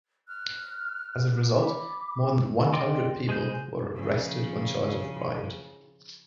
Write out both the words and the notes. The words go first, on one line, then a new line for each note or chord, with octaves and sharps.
As a result, more than one hundred people were arrested on charge of riot.
F6 F#6
B5 D6
D5 D#5 G5 C6 D6
G#3 G#4 C5 G6
C#3 F3